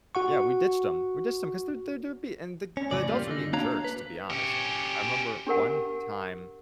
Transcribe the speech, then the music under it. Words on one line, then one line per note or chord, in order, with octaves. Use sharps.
Yeah, we ditched them. We ditched them 'cause they're they're they're be and the the adults were being jerks, to be honest. I remember one time,
F#4 F#5 C#6
C#4
F2 A2 C#3 D5
G3 A#3 F4
D3 D#4
A#3 D4 F#4 C#5 F5 A#5
B4
C#4 G4
D4 G4 A#4 F#5